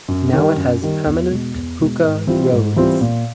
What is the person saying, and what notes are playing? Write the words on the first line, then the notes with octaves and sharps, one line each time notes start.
Now It has permanent pucca roads.
F#2
D#3 G3
F#2
D#3 G3
E2
B2 G#3
E2
B2 G#3
G#2
E3 G3 C4 F4
G#2
E3 G3 C4 F4
A#2